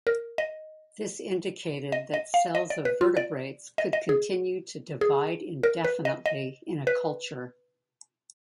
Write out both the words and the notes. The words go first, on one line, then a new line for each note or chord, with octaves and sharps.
This indicated that cells of vertebrates could continue to divide indefinitely in a culture.
A#4
D#5
D#5
D#5
F5
D#5
D5
B4
F4
D5
D#5
D#5
G#4
G#4
A#4
B4
D#5
D#5
B4